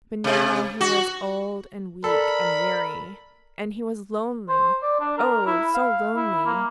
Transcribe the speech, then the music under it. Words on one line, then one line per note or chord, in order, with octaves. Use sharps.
But now he was old and weak and weary, and he was lonely, oh! so lonely!
C3
F#4
A4 A#4 D5 B5
C5
D5
D4
A#4
E4
F5
E4
A#3